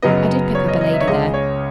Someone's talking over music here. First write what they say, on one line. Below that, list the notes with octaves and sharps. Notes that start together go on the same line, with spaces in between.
I did pick up a lady there.
F#2 C#3 F#3 B3 D#5
C#5
D#5
D#5
E5
C#5
C#2 C#3 G#3 D#5
C#5